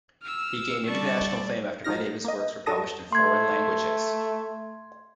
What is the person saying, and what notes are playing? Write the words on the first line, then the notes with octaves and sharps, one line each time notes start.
He gained international fame after many of his works were published in foreign languages.
E6 F6
G3 A4 D5 A5 C#6
F3 F#3 D#4 F6 A#6
A#3 D#5
F#3 D4 A4 A5 D#6 A#6
A3 C6 G#6